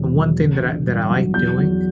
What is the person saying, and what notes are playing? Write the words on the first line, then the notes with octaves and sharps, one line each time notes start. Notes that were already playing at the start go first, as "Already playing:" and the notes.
the one thing that I that I like doing
Already playing: E1 E2 B2
F#3
A1
D3
G2
F#3
E2 G6
F#3